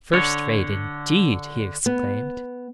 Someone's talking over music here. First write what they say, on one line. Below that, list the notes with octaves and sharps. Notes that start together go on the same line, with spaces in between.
'First rate, indeed!' he exclaimed.
D3 C#5
B3